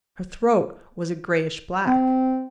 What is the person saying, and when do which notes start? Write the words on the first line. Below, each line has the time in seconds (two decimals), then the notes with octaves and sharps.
Her throat was a grayish-black.
1.87 C4